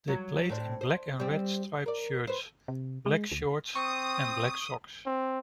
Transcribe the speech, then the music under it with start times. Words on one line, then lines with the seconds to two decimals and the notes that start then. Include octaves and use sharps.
They played in black and red striped shirts, black shorts and black socks.
0.08 F#3
0.49 A2 C4 D4
0.81 C5
1.20 G3 C4
1.86 A#4 D5
2.27 B4 C5
2.68 C3
3.06 G#3
3.31 D2
3.76 C4 C#6 D#6
5.06 C4